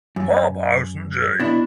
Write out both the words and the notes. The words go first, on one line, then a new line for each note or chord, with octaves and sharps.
Hobhouse and J.
F#2
B2 D4 E4